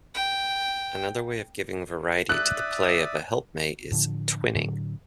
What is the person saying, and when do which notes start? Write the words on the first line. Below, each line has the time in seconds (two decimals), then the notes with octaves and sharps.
Another way of giving variety to the play of a helpmate is "twinning".
0.15 G5
2.29 D5 E5 D#6 F#6
3.92 A2 D3 F3
4.56 A2 D3 F#3